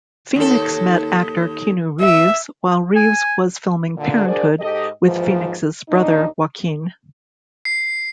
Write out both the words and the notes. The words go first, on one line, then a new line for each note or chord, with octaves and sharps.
Phoenix met actor Keanu Reeves while Reeves was filming "Parenthood" with Phoenix's brother, Joaquin.
D#2 A4
E5
G#5
A#2 D3
D4 F#4 G#4 A#4 C5 D5
G#2 G4 A4 D#5
D#2 G#2 E3 F3
D#2 A#2 D4 D#4
C7